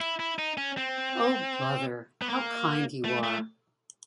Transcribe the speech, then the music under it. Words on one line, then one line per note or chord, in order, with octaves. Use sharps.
Oh, brother, how kind you are!
E4
E4
D#4
C#4
C4
B3
A#3
A3
A3